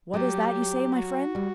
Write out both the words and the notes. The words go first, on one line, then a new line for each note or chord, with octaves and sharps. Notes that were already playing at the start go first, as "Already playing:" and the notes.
"What is that you say, my friend?"
F#3 G4
F#4
G3